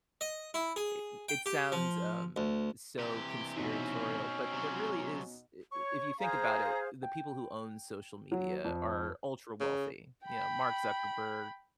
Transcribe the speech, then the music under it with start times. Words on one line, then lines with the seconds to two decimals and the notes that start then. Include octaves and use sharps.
i it sounds, um, so conspiratorial, but there really is i i if you think about it, the people who own social media are ultra wealthy. You know, Mark Zuckerberg,
0.21 D#5
0.54 E4
0.76 G#4
1.29 G5
1.46 G4
1.72 F3
2.36 D2
2.99 C3 E3 G4
3.56 B2 C4 C#4 D#4 B4
4.54 C3 F#3
5.72 C#5 C#6
6.20 G#4 C5 F5 A#5
7.03 G5
8.32 F#3
8.64 F2
9.60 C#3
10.25 G5 B5